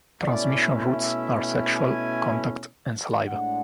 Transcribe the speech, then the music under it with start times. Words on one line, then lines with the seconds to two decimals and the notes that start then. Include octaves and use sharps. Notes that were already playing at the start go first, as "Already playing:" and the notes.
Transmission routes are sexual, contact, and saliva.
0.23 B2 A3 C#4 E4 D5
0.61 E5
1.00 E5
1.75 G#5
3.27 A2 G#3 D4 F#5